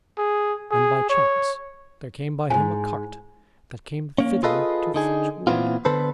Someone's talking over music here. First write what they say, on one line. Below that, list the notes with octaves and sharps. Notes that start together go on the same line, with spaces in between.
Then by chance there came by him a cart that came thither to fetch wood.
G#4
G#4
C#5
F2 G#2 G#5
A#3 C#4
F4 G#4 A4 B4 D#5 F5
D3 D#4 G#4
A#2 E3 G3 B3 C4 F4
D3 B3 A4 B4 C5